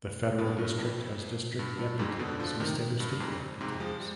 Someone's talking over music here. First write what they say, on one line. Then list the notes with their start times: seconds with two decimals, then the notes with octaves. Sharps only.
The Federal District has district deputies instead of state deputies.
0.38 G2 B2
0.58 G2
0.78 F2
1.59 G2
1.79 G2
1.99 F2 G#2
2.19 B2 D3
2.39 D3 F3
2.60 C3 D#3
3.00 G2
3.20 F2 G#2
3.61 G#2 C3
3.80 F3 G#3
4.00 G3